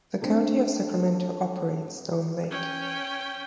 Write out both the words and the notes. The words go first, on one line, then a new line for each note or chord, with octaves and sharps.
The County of Sacramento operates Stone Lake.
A3 C4 D4 A4
C#4 G5